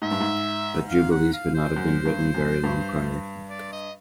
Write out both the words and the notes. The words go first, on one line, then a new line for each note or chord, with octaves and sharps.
But "Jubilees" could not have been written "very long" prior.
G#2 E5
G2
G#2
F5
F#5
F5
C5
F#2
G2
F#2
G2
D5
D#5